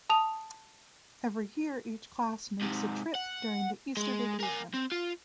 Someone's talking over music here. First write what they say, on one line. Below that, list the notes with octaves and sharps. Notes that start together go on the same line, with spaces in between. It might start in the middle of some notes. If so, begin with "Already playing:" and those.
Every year each class makes a trip during the Easter vacation.
A5 D#6 F7
G#2 C3
F#5
G#3
A#4 G#5
C4
F4